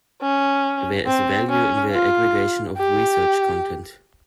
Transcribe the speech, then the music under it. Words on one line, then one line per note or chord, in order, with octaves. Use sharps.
There is value in the aggregation of research content.
C#4
C4
C#4
F4
G4